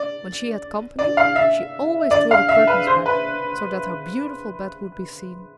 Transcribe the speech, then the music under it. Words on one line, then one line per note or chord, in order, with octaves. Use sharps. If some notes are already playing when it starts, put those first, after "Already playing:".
When she had company, she always drew the curtains back so that her beautiful bed would be seen.
Already playing: D5
D5
F5
E5
D5
F5
E5
B4
C5
B4